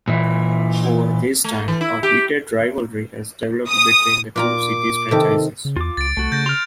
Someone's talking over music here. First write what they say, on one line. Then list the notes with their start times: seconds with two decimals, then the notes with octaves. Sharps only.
Over this time, a heated rivalry has developed between the two cities' franchises.
0.08 A#2 E3 E4
1.44 A3
1.68 E3
1.81 E4
2.03 G4
3.68 D#6
4.36 A#2 F4 A#5 D6
5.11 C3 D#3 A4
5.65 C#3
5.76 E2 F4 D6
5.97 C#2 A6 D7
6.17 C2 A3 F#4
6.32 C#3 G6 A6 A#6
6.46 C6 F6 F7